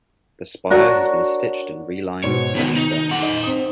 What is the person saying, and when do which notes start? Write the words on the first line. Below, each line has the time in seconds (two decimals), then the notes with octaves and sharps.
The spire has been stitched and relined with fresh stone.
0.70 D4 F#4 A#4 C#5
2.24 G#2 B2 C#5
2.55 C3 D#3 B3 B6
2.76 D#4
3.10 D#4 F#5
3.22 D#5
3.43 C4 D#6